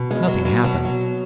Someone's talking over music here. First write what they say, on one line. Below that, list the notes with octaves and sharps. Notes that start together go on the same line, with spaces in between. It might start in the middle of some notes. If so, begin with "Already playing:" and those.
Nothing happened.
Already playing: B2
E2 G#3
F#3
E2 F#3
B2 F#3
B2 F#3